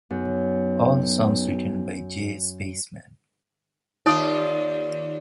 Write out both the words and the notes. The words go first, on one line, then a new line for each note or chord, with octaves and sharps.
All songs written by J Spaceman.
B1 F#2
D#2 D#4 F4 C#5 D5 D#6